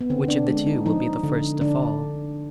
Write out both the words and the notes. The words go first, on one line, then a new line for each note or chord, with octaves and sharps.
Which of the two will be the first to fall?
B3
D3 C4
D4
G#3 D4
D#4
F3 D#4
D3
D3 D4